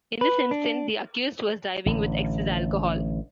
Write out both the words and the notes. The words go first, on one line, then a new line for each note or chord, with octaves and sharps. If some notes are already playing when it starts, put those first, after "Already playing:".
In this instance, the accused was driving with excess alcohol.
B4
D4
A1 D3